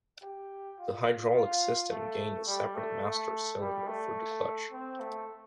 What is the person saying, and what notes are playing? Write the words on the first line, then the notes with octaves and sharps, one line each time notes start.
The hydraulic system gained a separate master cylinder for the clutch.
G4
F4
F4
A3
G3
A3
A3
G3
A3
C4
A3